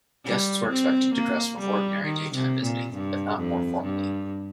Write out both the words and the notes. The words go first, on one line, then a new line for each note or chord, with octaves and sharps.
Guests were expected to dress for ordinary daytime visiting, but not more formally.
G3
C4
A#3
G3
D#3
C3
A#2
G2
F2
G2